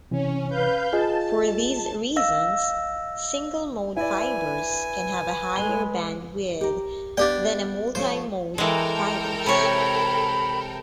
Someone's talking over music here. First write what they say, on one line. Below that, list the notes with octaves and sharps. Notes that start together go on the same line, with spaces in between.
For these reasons, single-mode fibers can have a higher bandwidth than multi-mode fibers.
C3 E3 C#4
B4 F5 G6
F4 G#4 D#5 A5
D#5 F5 E6 A#6
E4 B4 D5 G#5
G#3 G#4 G7
G4 A#4
B3 D4 G4 D5 F5 G5
F3 A3 C5 C#5
E3 G#3 A4 A#4 G5
C3 C#5 B5